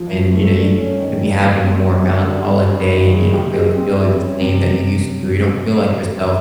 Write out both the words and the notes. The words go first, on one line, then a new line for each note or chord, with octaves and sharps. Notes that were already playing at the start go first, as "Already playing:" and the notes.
when, you know, you could be having a more melancholic day and you don't really feel the same that you used to, or you don't feel like yourself,
Already playing: F3
F3
A3
D4
C#4
D#3
G3
A#3
C4
G2
D3
G3
G2
G2
D#3
G#3
G4
G#3
C4
E4
C#4
C3